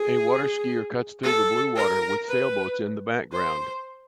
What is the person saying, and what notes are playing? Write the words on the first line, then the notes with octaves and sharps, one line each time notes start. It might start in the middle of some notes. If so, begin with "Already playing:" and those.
A waterskier cuts through the blue water with sailboats in the background.
Already playing: G#4
A4
A#4
B4
C5